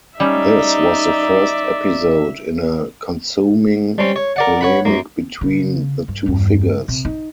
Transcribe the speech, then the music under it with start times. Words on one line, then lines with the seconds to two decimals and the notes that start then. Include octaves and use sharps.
This was the first episode in a consuming polemic between the two figures.
0.20 G3 C#4 D#4 D5 E5
3.98 G3 C4 C#4
4.16 C#5
4.36 A#4 D5 F#5
4.61 C#5 F#5 B5
4.85 F#2 A#3
5.41 C#3
6.08 G2
6.26 E2 G2
6.88 C3
7.05 D#4